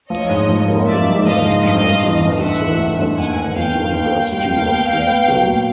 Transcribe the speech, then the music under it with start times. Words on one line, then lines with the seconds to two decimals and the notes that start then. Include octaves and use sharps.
Robin Murray trained in medicine at the University of Glasgow.
0.10 F3 C#5 D#5
0.30 G#2
0.49 F3
0.68 A#3
0.87 F3 D5 E5
1.07 G#2
1.25 F3 D#5 F5
1.45 G#2
1.63 G2 D#5 F5
1.83 G2
2.02 E3
2.21 G1
2.41 G1 E5 F#5
2.60 E3
2.79 G1
2.98 G1
3.17 D#2 F#5 G#5
3.37 D#2
3.56 D#2 F5 G5
3.74 D#3
3.94 D#2 F5 G5
4.13 D#3
4.32 G3 F5 G5
4.52 D#2
4.71 B3
4.90 B3
5.09 B3
5.29 F#3
5.47 A#2